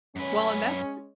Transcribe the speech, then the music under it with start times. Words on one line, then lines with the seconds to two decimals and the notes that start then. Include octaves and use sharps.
Well, and that's
0.16 F#2 G#3 C#4 B4